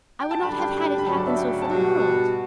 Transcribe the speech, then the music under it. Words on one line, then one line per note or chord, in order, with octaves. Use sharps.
I would not have had it happen so for the world.
G5
A5
F#2 D3 G3 D4 G4 B5
G5
B5
D2 C#3 F#3 A5
D5
E5
G5
A5
B2 G3 D4 F#4 G5
A5